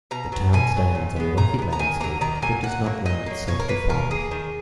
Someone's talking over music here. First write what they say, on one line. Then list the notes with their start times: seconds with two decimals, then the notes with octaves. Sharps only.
The town stands on a rocky landscape that does not lend itself to farming.
0.11 B2 A#5
0.32 F#3 B3
0.53 B2 G#5
0.74 F#3 B3
0.95 A#2
1.16 G#3 B3
1.37 A#2 A#5
1.59 G#3
1.62 B3
1.73 A#5
1.79 D#3 G#5
2.00 F#3 A#3 A#5
2.21 D#3 A#5
2.42 F#3 A#3 G#5
2.63 A#2 F#5
2.84 F#3 A#3
3.06 A#2 D#5
3.26 F#3 A#3
3.47 B2 C#5
3.59 A#4
3.68 A#3 B4
3.89 B2 A#4
4.10 A#3 G#4
4.31 D#3